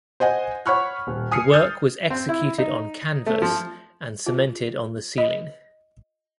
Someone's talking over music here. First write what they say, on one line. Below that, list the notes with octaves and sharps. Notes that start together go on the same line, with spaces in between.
The work was executed on canvas and cemented on the ceiling.
C5 D#5 F#5 G#5
C#5 F#5 B5 C#6 F6 F#6
D#1
G#5 D#6 F6 C7 C#7
D#6 F6 G6 A6
C4
E4
D#4
A3
F3
F4
D#5